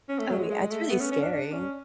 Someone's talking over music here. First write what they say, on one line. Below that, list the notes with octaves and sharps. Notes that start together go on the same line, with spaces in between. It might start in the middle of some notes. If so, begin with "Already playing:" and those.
Oh, yeah. It's really scary.
C#4
A3
F#3
G#3
G#3
A3
B3
C#4
C#4
D4
D4
C#4